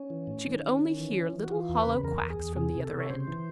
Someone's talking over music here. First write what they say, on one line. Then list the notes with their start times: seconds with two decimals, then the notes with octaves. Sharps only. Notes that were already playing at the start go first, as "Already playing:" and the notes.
But she could only hear little hollow quacks from the other end.
Already playing: C#4
0.10 E3
0.27 A2
0.45 D#3
0.63 D#3
0.81 D#3
0.98 E3
1.16 E3
1.33 E3
1.44 F#4
1.51 E3 F4
1.69 E2
1.77 B4
1.86 C#3
2.03 E2 A#4
2.21 E2
2.30 G#4
2.39 E2
2.56 C3 G#4
2.74 C3
2.84 A4
2.93 C3
3.00 C#5
3.10 C#3 C5
3.27 E3